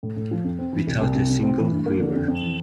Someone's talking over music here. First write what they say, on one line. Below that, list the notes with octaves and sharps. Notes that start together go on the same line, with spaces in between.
Without a single quiver.
A2
A2
F3
F2
C4
E3
C2
C2
C3
C3
C4
E3
G2
A#3
D3
F2
F2
E3